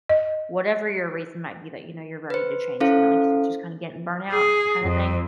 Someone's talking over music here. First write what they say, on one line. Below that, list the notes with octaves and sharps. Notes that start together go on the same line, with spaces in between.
whatever your reason might be that, you know, you're ready to change, you know, like you said, just kinda getting burnt out, kinda thing.
D#5
B4 C5
C#4 E4 A4 C5 F5
G#4
F2